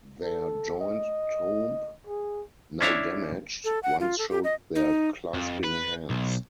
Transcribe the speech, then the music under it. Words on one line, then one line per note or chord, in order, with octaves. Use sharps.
Their joint tomb, now damaged, once showed their clasping hands.
A4
D#5
G#4
C#4 D4 E4 C#5
A4
F#5
F4
A4
G4
D#5
D#4
F2
B4
B1